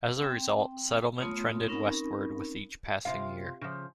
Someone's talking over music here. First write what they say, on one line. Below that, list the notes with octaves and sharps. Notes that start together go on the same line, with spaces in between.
As a result, settlement trended westward with each passing year.
C4 G5
A3 B3 F4 C#5 C6 D#6
C4 C#4 D#4 A#4 B5
C3 F4 F5
C#3 F3